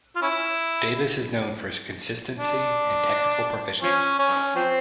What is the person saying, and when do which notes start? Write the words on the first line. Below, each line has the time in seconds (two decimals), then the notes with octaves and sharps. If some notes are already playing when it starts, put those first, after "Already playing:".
Davis is known for his consistency and technical proficiency.
0.16 F4
0.22 C#4 E4
2.39 D4
3.83 F3 C#4
4.19 C#4
4.55 F3 C4